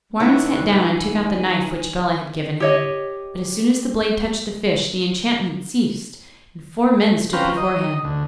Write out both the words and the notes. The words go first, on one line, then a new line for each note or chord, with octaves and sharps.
Houarn sat down and took out the knife which Bellah had given him, but as soon as the blade touched the fish the enchantment ceased, and four men stood before him.
C3 B3 D#4 E4 C#5 F#6
E3 G#5
G4 C#5 D#5
C4 C#4 B4 F5 G5 A#5
D#5
D2